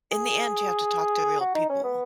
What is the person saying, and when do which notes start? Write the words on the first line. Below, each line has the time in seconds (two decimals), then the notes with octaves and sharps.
in the end, you have to talk to real people.
0.11 G#4
1.40 F#4
1.55 D#4
1.69 C#4
1.83 B3